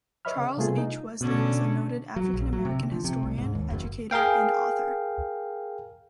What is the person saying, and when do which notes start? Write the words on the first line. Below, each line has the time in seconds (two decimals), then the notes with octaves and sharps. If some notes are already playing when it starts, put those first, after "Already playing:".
Charles H. Wesley was a noted African American historian, educator, and author.
0.25 B4 C#5 D#5 E5 B5 F6
0.37 C#3
0.57 C3 G3 A3 B3 F4 G#4
0.78 D#4
1.21 B2 D3 C#4 D4
2.16 F#3
2.34 A#1
2.53 F#3
2.65 C3
2.79 D3
2.92 F3
3.04 C3
3.23 C2
3.38 G#2
3.55 D#2
3.70 F#1
4.11 G#4 A#4 F5 G5